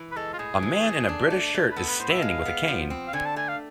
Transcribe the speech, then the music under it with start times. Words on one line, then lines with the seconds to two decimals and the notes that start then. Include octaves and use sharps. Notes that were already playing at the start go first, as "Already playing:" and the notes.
A man in a British shirt is standing with a cane.
Already playing: E3
0.12 B4
0.16 G#3 A4
0.33 F4
0.39 A2 G#4
0.62 E3
0.85 A3
1.09 D4
1.30 A3
1.54 A3
1.71 B4
1.76 B3 A4
1.88 B4
2.00 A2 C5
2.10 E5
2.22 G#3 F5
2.45 B3
2.68 F3
2.90 C4
3.08 F5
3.13 D3 G#5
3.26 A5
3.36 A3 G#5
3.48 F5